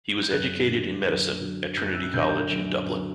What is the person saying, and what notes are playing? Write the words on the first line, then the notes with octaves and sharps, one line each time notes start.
He was educated in medicine at Trinity College in Dublin.
G6
F#2 F#6
D3 F#3
F#2
D3 F#3
F#2 G6
F#6
E6
F#6
D3 F#3 G6 A#6
G6
F#2 D7
D3 F#3